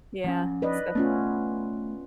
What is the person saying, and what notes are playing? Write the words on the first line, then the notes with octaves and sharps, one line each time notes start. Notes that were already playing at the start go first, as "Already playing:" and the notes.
Yeah, so
F3 C4 C#4
B4 D5 D#5
A3 B3 C#4 F4